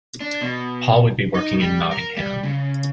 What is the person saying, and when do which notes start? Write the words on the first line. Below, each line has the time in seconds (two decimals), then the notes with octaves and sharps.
Paul would be working in Nottingham.
0.20 D4
0.41 B2
1.35 D#4
1.60 G3
1.91 A#4
2.17 G3
2.43 C#3